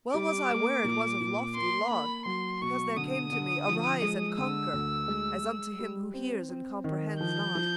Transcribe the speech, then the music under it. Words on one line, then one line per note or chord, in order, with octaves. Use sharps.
Well was I ware it was of lofty laud, Because there came to me, "Arise and conquer!" As unto him who hears and comprehends not.
G3 D6
A#3
A#2
A#2
A#3 C6
A#3 B5
F#3 C6
B2 C#6
D3 D#6
D3
F3
G#3
D3 E6
D2
G#3
G#3
G3
C4
C4
D#3
F3 G6
F3